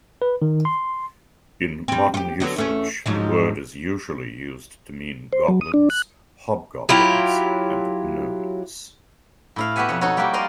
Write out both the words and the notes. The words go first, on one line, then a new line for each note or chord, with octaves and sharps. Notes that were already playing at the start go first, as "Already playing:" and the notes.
In modern usage, the word is usually used to mean goblins, hobgoblins and gnomes.
B4
D#3
C6
G3 C4
F4 G4
D3 F#3 B3
E2 A3 C#4
G#2 F3 F#3
C5
F#3
D#6
D4
F#6
F#3 E4 F4 G4
A2 E4 F5
B3 F#4 G4 E5 F#5 G#5
F2 B2 C#5 F#5
D#4 F#4 A4 C#5
G3 A#3 D#4 E4 F#4 G4
A#4 D5 D#5 F5 A#5 C6